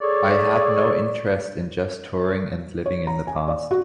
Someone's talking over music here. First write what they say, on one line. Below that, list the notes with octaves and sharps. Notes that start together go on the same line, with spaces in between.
I have no interest in just touring, and living in the past.
G#4 A4 C#5 D5
C#5
A#5
G#5
D5
F#4